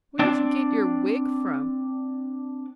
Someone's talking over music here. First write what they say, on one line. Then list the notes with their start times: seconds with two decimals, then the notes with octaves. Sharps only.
Where did you get your wig from?
0.19 C4 D4 D5